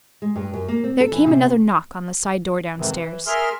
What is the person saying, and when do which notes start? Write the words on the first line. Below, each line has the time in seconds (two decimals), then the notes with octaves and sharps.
There came another knock on the side door downstairs.
0.22 G#3
0.36 G2
0.53 F#2
0.68 A#3
0.84 C4
1.01 A4
1.12 E3
1.26 C3
2.78 F2 G#2 C3 D#3 E3
2.93 E3
3.27 G#4 A#4 E5 G#5 C6 F6